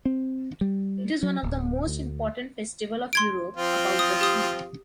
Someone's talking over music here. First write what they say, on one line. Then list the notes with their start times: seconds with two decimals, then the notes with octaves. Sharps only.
It is one of the most important festival of Europe about the theme.
0.05 C4
0.61 G3
1.23 F#3
1.43 D1
1.87 D2
3.13 C6 G#6 D7
3.56 F3 C4 F4
3.99 D#6
4.21 G4 D#6